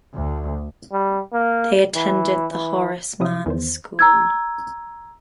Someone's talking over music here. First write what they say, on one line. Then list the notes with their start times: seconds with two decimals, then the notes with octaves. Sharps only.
They attended the Horace Mann School.
0.14 D2
0.92 G3
1.33 A#3
1.95 E3
2.52 E3
3.20 C3 F3 F#3 E4 E5 D#6
3.46 E2 D#3 C5
3.99 A#5 E6 G#6